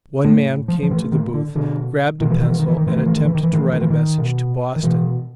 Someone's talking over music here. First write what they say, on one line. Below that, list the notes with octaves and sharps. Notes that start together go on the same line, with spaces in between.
One man came to the booth, grabbed a pencil, and attempted to write a message to Boston.
A2 A3
F3
F3
A2 E3
D#3
D3
B2 D3
B2 D#3
E3
D#3
E3
D#3
E3
D#3
A2 E3
D#3
E3
D#3
E3
D#3
E3
A2 D#3
E3
D#3
E3
D#3
B2
D#3
B2 E3